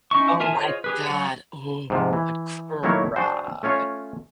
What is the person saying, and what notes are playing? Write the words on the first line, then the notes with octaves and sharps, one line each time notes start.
Oh my god, ooh, I'd cry.
C#4 D#4 E4 C#6
F4 A#4 E5 G#5 A5
F4 G#4 C5 C#5 D#5
G4 G#4 B4
F#3 F#5
G#2 C3 F3
E3
D#3 F#3 A3 A#3 E4 C#5
D4 F#4 C5
A3 C#4 F4 C#5